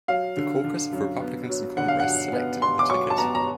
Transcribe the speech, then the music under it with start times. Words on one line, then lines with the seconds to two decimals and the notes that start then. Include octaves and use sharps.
The caucus of Republicans in Congress selected the ticket.
0.08 F#3 F5
0.37 D3
0.64 D3
0.93 F#2
1.21 B3
1.49 F#3
1.77 D3 F#5
1.88 F5
2.00 F#5
2.06 F#3
2.33 B3
2.62 B3 C6
2.79 D6
2.90 F#3 C#6
3.10 A5
3.18 B3 A#5
3.35 A#5